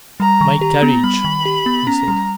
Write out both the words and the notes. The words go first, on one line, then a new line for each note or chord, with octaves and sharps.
"My carriage!" he said.
G3 A#5
D#3
G4 A#5
B3
G3 B5
D#3
G4
B3
C#4 A#5
G3